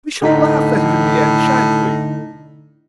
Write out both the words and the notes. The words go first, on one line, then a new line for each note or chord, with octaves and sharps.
We shall laugh at it in the end, shan't we?
A2 D3 D#4 B6